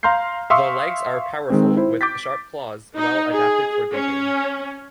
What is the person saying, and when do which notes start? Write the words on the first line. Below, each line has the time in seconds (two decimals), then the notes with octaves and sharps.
The legs are powerful with sharp claws well adapted for digging.
0.03 F5 A#5 C6 F6 G6 C7
0.50 E5 F5 C6 C#6 D#6 E6
1.50 D#3 G#3 C4
1.77 E4 C5
2.01 D6 G6 A6 B6
2.96 D#4
3.33 G#4
3.94 C#4